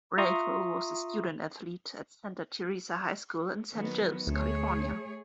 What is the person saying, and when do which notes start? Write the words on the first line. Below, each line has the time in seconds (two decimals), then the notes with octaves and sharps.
Bravo was a student-athlete at Santa Teresa High School in San Jose, California.
0.18 F4 E5 A#5 C6 C#6 D#6
3.74 D#3 F#3 B3
4.27 D2 A3 G#4 C#5